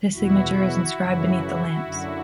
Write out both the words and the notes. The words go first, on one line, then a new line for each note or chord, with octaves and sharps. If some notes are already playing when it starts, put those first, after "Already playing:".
His signature is inscribed beneath the lamps.
E2 B2 E4 F#4
F#2 C#3 E3
F#2 D3